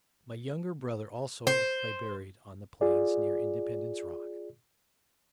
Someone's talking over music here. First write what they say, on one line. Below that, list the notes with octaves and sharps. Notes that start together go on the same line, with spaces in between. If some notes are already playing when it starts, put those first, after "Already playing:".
My younger brother also lay buried on the Plains, near Independence Rock.
C5
F4 G#4 D5